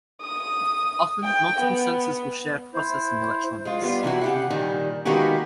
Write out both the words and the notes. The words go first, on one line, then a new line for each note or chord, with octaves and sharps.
Often, multiple sensors will share processing electronics.
D#6
G5
B3
E4 C5
G#3 F4
G3 B3 F4
C3 E3 E4 F#4
C#3 G4 F#5
A#2 D#3 G3
D#3 G#3 A#3 B3 F#4 G4